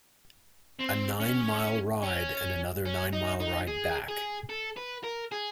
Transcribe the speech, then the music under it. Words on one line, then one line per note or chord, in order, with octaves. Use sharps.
A nine-mile ride, and another nine-mile ride back.
C4
C#4
C#4
C#4
D#4
D#4
G#4
G#4
A4
B4
A#4
G#4